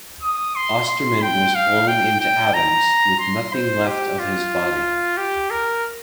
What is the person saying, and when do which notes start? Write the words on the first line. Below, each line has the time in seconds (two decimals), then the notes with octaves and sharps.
Osterman was blown into atoms, with nothing left of his body.
0.22 D#6
0.56 C6
0.88 C6
1.22 G5
1.55 F5
1.88 G5
2.20 G5
2.54 A#5
3.20 C6
3.54 C5
3.86 G4
4.19 F4
5.18 G4
5.51 A#4